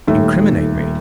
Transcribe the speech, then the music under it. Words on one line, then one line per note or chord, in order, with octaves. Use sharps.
"Incriminate me?"
D#1 D#2 A3 E5